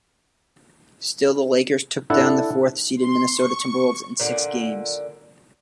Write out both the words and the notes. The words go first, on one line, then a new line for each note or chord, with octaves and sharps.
Still, the Lakers took down the fourth-seeded Minnesota Timberwolves in six games.
D4 E4 A4 F#5
C6
C#6
A#2 D3